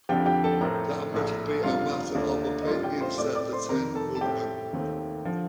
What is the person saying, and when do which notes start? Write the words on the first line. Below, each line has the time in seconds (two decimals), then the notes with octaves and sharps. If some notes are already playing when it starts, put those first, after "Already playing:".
"That must be a matter of opinion," said the Tin Woodman.
0.09 F2 D3 F3 G4 G5
0.26 G4 G5
0.44 A4 A5
0.61 A2 A3 C4 A#4 A#5
1.12 A#1 A2 A3
1.63 G1 F2 D3 G3 F4 F5
2.15 D#2 D3 A3 D4
2.62 D#5
2.66 A1 A2 G3 D4 F4 F5
2.83 G4 G5
3.01 C5 C6
3.18 A2 A3 C4 D5 D6
3.35 D5 D6
3.53 C5 C6
3.69 F2 C3 D#3 A#4 A#5
3.95 A4 A5
4.15 A5
4.21 A2 A3 C4 G4 G5
4.73 D#2 D#3 A3 C4
5.25 D3 F3